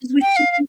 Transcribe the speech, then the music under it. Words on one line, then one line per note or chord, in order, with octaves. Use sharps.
what you think
G5
F5
F5